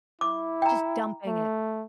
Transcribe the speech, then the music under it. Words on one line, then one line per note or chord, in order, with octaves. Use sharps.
just dumping it?
E4 D6
G5 A#5
A3